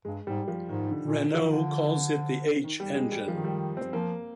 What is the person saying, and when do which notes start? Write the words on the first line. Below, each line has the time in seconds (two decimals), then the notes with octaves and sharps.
Renault calls it the H engine.
0.05 G2 G#3
0.27 G#2 G3
0.48 F3
0.69 G#2 D#3
0.91 D3
1.02 A#2
1.34 D3 F3
1.42 D#3
1.51 D3
2.64 D#3
2.80 G3
2.95 G#3
3.12 G3
3.28 D#3 F3
3.44 G3
3.77 C4
3.93 F3 A#3